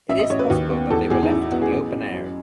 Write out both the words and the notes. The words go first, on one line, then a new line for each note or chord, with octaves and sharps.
It is possible that they were left in the open air.
A1 E5
D#5
A1 C#5
B4
D#2
B3
E2 A4
E2 G#4
D#4
A1 E4
E4
B3 F#4
G#4
A1
A1
F#2